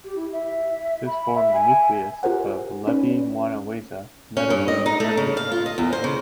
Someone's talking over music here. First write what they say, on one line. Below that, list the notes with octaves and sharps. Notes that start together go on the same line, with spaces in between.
This formed the nucleus of Levy Mwanawasa Medical University.
G4
E4
E5
B5
E5
G#5
F4 G4 A#4 C5 F#5
C#4 D#4 B4 C#5 D5
C#4
G2
D#5
D#4
A3
C#3
F5
F4
D#5
E2
C5
C#3